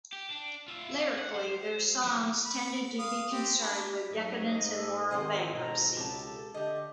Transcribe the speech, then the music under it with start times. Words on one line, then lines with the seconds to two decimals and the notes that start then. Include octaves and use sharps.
Lyrically, their songs tended to be concerned with decadence and moral bankruptcy.
0.13 G4
0.30 D4
0.68 F4 E5
1.18 F#5
1.35 C5
2.03 E3 F#3
2.46 B5
2.99 F5 D#6
3.32 C4 G4
3.61 A#3 D4 B5
4.11 G#2 F#3 D#5
4.70 A4
5.11 D#3 B3 C4 C5 D#5
5.53 G#2 B2 A4 A#5
5.97 C#2 G4 A4 A5
6.54 D3 A3 G4 D#5